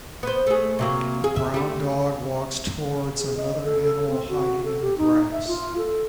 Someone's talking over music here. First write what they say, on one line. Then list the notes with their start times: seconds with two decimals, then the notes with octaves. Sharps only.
A brown dog walks towards another animal hiding in the grass.
0.23 B3 C5
0.47 A3 G#4
0.79 C3 F#3 A#3
1.24 G#4
1.36 E5
1.54 G3 A3
3.18 G#4
3.37 D#5
3.64 A4
3.83 A4
4.10 C4
4.29 F#4
4.65 A4
4.81 G4
4.98 D#4
5.32 E5
5.47 F4
5.78 A4